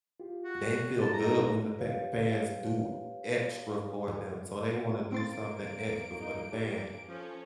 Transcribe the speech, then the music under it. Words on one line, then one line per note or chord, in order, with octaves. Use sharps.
they feel good when the pa fans do extra for them, so they wanna do something extra for the fan.
F4 G4
F#4
G4
A5
D#4 E4 A#5
G4 B4 C#5 F5
A#3 C4 C6 A6 D7
E2
D#4
A#2 G3 D4 G4
F3 C#4 A4 C5